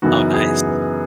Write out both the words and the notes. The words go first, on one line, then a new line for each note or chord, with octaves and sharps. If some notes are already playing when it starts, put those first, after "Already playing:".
Oh, nice.
F#2 C#3 E3 B3 D#4 F#4
G#4
B4